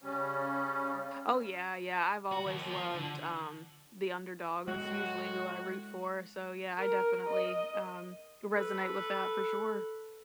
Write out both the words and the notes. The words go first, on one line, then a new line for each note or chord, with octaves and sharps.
Oh, yeah, yeah, I've always loved, um, the underdog. That's usually who I root for, so, yeah, I definitely, um, resonate with that for sure.
C#3 G3 C#4
F#4
D#2
F3
D3
A2 G#3 F#4
A#4
D#5
A4 B4